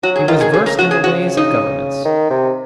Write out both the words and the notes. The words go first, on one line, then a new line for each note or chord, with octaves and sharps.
He was versed in the ways of Governments.
F#3 F#4
G#4
D#3 F4
G#4
C#3 G#4
A#4
F#4
G#4
F#4
D#4
D#3
C3